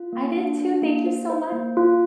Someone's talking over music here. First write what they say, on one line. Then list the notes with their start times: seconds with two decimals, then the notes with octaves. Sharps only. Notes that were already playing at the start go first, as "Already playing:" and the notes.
I did too. Thank you so mu
Already playing: F4
0.12 A#3
0.36 D4
0.59 D4
0.82 A#3
1.06 C5
1.30 C5
1.52 A#3
1.77 F4